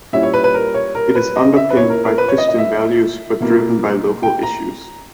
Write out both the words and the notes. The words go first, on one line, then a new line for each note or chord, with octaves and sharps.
It is underpinned by Christian values but driven by local issues.
A#2 G3 C#4 E4 E5
C#5
B4
B4
A#4
C#5
A#4
B4
D#5
E5
B4
A#2 A#3 E4 C#5
A#4
A#4
B4
C#5
D#5
D#5
E5
B2 A#3 E4
G5
A#5